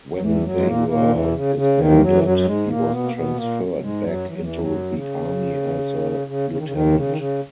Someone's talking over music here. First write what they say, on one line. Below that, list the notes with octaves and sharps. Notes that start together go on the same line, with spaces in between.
When they were disbanded, he was transferred back into the Army as a lieutenant.
F#3
E2 E3
F#2 F#3
G#3
A#2 A#3
A#2 A#3
C#3
D#3
E2 E3
B2
C#3
C#3
D#2 D#3
E3
F#2 F#3
E3
F#2 F#3
F#3
G#2 G#3
A#2 A#3
B2 B3
A#3
B2 B3
A#2 A#3
F#3
G#2 G#3
F#2 F#3
E3
F#3
E2 E3
F#2 F#3
C#3
C#3
C#3
D#3
C#3
D#2 D#3
C#3
D#3
C#3